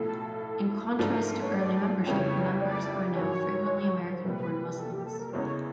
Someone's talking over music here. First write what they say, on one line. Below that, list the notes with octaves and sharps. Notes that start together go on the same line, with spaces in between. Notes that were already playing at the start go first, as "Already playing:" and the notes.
In contrast to early membership, members are now frequently American-born Muslims.
Already playing: B1 A2 F3 A4
G#2 F3 A3 D4 A#4
C#5
D5
F2 C#3 E3 G3 C#5
D5
G#2 D#3 F#3 C#5
C5
C2 A#2 G3 B4
A4
G4
A4
A#4
E2 C#3 E3 G#3 C#5